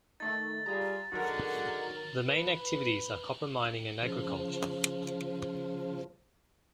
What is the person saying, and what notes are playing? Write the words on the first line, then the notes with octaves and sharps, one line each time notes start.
The main activities are copper mining and agriculture.
D#3 A3 D#4 A6
G3 F4 G#4 A#5
D3 D#3 F#3 G#3 F#4 A#4 F#5
B4
C#3 F3